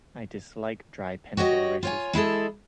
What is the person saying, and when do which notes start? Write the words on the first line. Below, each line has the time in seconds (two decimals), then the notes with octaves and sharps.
I dislike dry pencil erasers.
1.37 F#4 G4 C#5 D#5
1.83 F4 C#5 G#5
2.13 G#3 E4 G#4 A4